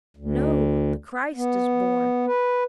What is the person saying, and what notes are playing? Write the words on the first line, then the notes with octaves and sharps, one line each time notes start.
"No, the Christ is born."
D2
B3
B4